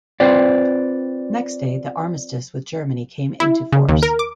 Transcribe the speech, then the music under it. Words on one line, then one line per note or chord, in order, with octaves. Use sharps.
Next day the Armistice with Germany came into force.
C4 F4 B4 C5 D5
E4
C#3
D#2
A#4
D6